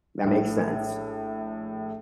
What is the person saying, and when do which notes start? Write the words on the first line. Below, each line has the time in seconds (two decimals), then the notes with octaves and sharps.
That makes sense.
0.24 A#1 A2